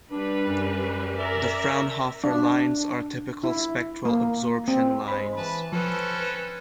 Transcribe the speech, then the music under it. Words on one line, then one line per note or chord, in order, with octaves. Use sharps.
The Fraunhofer lines are typical spectral absorption lines.
G3 D4 B4
F#2
A#4 D5 E5
D4
E4
A#3
C4
G#3 C5 B5
E3 B4 A5
F3 C4 C#4 A4 B4